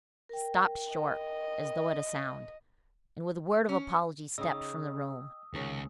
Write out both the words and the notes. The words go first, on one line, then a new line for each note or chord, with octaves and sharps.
He stopped short, as though at a sound; and with a word of apology stepped from the room.
A#4 G5
D#5
C#4
C#3 D#4 D#5 G5 D#6 E6
C#2 C3 D#3 G#4 C#5